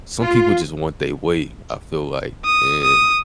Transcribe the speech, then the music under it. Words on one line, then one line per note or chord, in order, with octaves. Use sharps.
some people just want they way, I feel like, and
F4
D#6
D#6